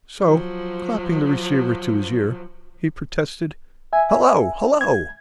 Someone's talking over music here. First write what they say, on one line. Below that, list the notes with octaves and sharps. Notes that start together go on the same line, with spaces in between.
So, clapping the receiver to his ear, he protested, "Hello! hello!"
F3 F#3
E5 G#5
G#6